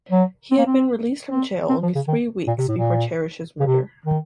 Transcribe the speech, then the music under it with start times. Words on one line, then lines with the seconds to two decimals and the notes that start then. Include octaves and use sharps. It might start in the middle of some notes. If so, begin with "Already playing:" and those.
He had been released from jail only three weeks before Cherish’s murder.
0.11 F#3
0.51 C4
0.58 A#3
0.66 C4
1.30 C4
1.69 C4
1.82 F3
1.95 C#3
2.08 D#3
2.47 A#2
2.58 C3
2.68 A2
2.77 A#2
3.60 C#3
3.66 C3
4.06 D#3